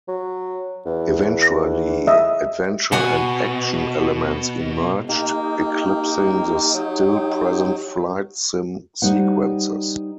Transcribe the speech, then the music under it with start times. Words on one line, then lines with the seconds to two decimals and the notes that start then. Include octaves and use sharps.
Eventually, adventure and action elements emerged, eclipsing the still-present flight sim sequences.
0.08 F#3
0.85 E2
2.07 D#5 E5
2.92 B2 F#4 F#5 G#5
5.09 A#3 D#4 G4
6.73 F#3
9.02 G3 D#4 C5 F#5